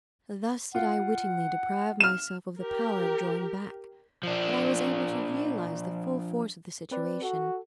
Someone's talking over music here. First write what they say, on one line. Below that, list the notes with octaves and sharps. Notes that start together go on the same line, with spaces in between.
Thus did I wittingly deprive myself of the power of drawing back, but I was able to realize the full force of the situation.
F4 F#5
F6 E7
G4 A#4
F3 D4
C4 B4 D5
F#4 A4